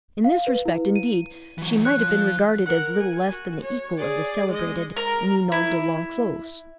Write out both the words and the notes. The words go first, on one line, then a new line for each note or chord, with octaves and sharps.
In this respect, indeed, she might have been regarded as little less than the equal of the celebrated Ninon De L'Enclos.
F5
B4
E4
D#7
E3 F#3
C#5 F#6
F3
A#4 F#5
G#5
F#4
C#5
G#4 D5
G#3 D#5
A#4
E4